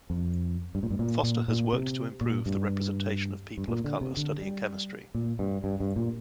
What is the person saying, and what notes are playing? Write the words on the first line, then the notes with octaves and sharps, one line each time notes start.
Foster has worked to improve the representation of people of colour studying chemistry.
F2
G2
A#2
G2
A#2
A#2
A#2
C3
A#2
G2
G2
A#2
D3
C3
D3
G3
A#2
G2
G2
G2
A#2